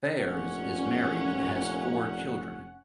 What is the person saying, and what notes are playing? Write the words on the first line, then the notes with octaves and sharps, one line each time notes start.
Fares is married and has four children.
F1 A#2 C#4 F#5